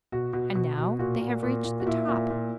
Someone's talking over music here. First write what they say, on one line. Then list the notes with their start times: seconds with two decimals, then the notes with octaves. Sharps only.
And now they have reached the top.
0.12 B2 F#4
0.33 B2
0.55 B2
0.77 B2
0.99 A#2 F#4
1.21 A#2
1.43 A#2
1.64 A#2
1.80 F#4
1.86 A#2 E4
2.09 A#2
2.30 A#2